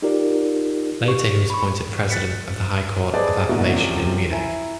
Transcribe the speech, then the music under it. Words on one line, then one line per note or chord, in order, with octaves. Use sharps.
Later he was appointed president of the High Court of Appellation in Munich.
D#4 F4 G4 A#4 D5
G4 C#6
B5 C#6
F#6 A6 B6 C#7
G#4 B4 C5 D5 D#5 A5
G#2 B2 D3 A#3 E4 F#4
F#2 C3 F3
E4 G#5 A#5